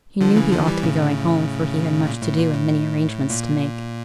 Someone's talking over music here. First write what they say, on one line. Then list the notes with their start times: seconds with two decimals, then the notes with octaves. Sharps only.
He knew he ought to be going home, for he had much to do, and many arrangements to make.
0.21 D3 F3
0.36 C#3 E3
0.52 D3 F3
0.67 E3 G3
0.82 A2 C#3
2.07 A#2
2.22 A2
2.38 A#2
2.53 A2
3.30 A#2